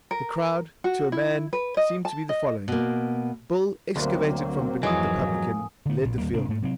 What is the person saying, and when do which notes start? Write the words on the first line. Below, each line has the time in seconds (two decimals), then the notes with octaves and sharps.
The crowd, to a man, seemed to be following. Bill, excavated from beneath the publican, led the field.
0.11 A#4
0.84 F#4
1.12 E4
1.53 B4
1.77 D#5
2.05 A5
2.29 D#5
2.68 B2 A#3
3.96 D2 F#3 A#3 C4
4.83 F2 G#2 E3 F#3 G#3 A#3 G#5 D#6
5.86 D3 B3
6.02 A#1 A#2
6.18 D#2 G3 A#3
6.33 G1 C3 A#3 D4
6.48 G#2 A3
6.62 C3 F#3 C4